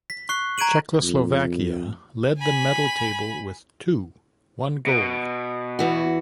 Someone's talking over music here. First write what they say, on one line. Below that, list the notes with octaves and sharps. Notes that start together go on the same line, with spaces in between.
Czechoslovakia led the medal table with two, one gold.
B6
C#6 F#6 C7
A#5 G#6 D7 D#7 F#7
F2
G#5 B5
B2
E2 E3 F#4